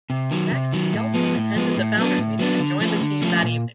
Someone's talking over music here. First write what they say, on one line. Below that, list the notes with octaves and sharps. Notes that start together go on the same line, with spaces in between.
Max Geldner attended the founders meeting and joined the team that evening.
C3
D#3 F#3
C3
D#3 F#3
A2
F3 G#3 B3
A2
F3 G#3 B3
A2
F#3 B3 D4
A2
F#3 B3 D4
D3
F3 A3 C#4
D3
F3 A3 C#4
A#2